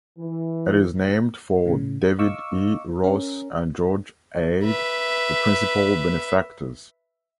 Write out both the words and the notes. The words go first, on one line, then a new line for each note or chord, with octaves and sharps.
It is named for David E. Ross and George Ade, the principal benefactors.
E3
A2 C#3
D#5 F5 C#6 D6 E6
C#4 A#4
B4 E5